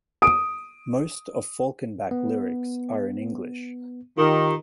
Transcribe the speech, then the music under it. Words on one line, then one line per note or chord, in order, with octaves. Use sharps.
Most of "Falkenbach" lyrics are in English.
D#6 D7
B3
D#3 F4 G4